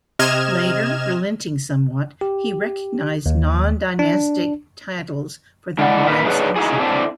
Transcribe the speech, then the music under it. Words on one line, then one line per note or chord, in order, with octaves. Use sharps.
Later, relenting somewhat, he recognised non-dynastic titles for their wives and children.
C3 D#5 F6 G#6 E7
G4
D#2
D4
G#3 D4 E4 D5 F#5
A#2 D3 A#4 B4 E5
D4 D#4 G#4 B4 C#5
D#4 E4 F#4 G#4
C4 D4 E4 A4